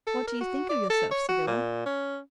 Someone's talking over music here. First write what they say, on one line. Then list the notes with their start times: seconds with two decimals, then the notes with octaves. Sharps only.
"What do you think of yourself, Sybylla?"
0.07 A4
0.27 A#4
0.41 F#4
0.69 D5
0.90 A4
1.11 C#5
1.28 F#4
1.47 A#2
1.86 C#4